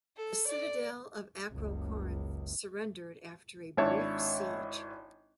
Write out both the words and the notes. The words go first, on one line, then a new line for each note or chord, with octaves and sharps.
The citadel of Acrocorinth surrendered after a brief siege.
A4
D5
F#1 C#2
G#1 D4 E4 C#5 A5